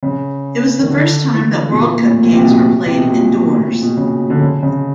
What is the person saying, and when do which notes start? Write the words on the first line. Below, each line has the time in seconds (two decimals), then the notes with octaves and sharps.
It was the first time that World Cup games were played indoors.
0.03 C#3
0.79 D#3
0.90 D3
1.34 E3
1.72 B2
1.78 A#2
1.93 A#2
2.07 A2
2.22 A#2
2.33 C3
2.44 B2
2.86 C3
2.97 B2
3.09 A#2
3.53 A2
3.67 A#2
3.82 B2
3.97 C#3
4.30 D3
4.41 C#3
4.62 C#3